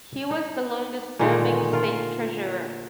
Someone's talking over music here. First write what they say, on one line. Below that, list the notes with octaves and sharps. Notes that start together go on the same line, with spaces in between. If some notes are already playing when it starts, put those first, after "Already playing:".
He was the longest-serving state treasurer.
D#4
A#2 D3 D#3 G#3
F4 A#4